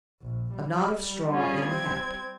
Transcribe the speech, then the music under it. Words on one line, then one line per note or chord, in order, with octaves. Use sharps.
"A knot of straw in the hat."
A#1
G3
C#4 F4 G#4
C4 G#6